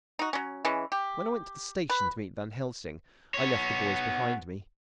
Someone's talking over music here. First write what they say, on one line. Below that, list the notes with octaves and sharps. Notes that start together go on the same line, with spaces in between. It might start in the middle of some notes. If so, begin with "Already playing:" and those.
When I went to the station to meet Van Helsing I left the boys behind me.
D#4 F#4
F#3 C#4
E3 G#3 C#4
G4
B4
B3 C#5